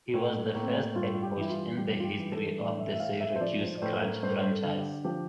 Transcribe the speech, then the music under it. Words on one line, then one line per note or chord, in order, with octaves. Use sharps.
He was the first head coach in the history of the Syracuse Crunch franchise.
A2 A#3
A2 A#3
C4
A#3
G2 F4
F4
G4
E3 E4
F4
G2 G4
F4
G4
E3
A4
A2 D5
E5
E5
A2 F5
E5
C5
F3 D5
C5
D5
A2 C5
A#4
G2 C5
A#4
C5
A4
D3
G4
F3 G4